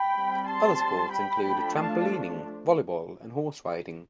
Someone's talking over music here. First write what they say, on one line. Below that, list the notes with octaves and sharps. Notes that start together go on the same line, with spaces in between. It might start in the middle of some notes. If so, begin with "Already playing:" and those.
Other sports include trampolining, volleyball and horse riding.
Already playing: G5 B5
G3 C4
A5 C6
G5 B5
F3 A3 D4
F5 A5